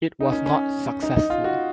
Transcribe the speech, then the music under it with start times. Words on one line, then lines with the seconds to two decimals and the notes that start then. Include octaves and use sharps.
It was not successful.
0.21 D#4
0.32 C#4
0.46 C#4
1.02 D#4
1.16 D#4
1.30 F4
1.44 F#4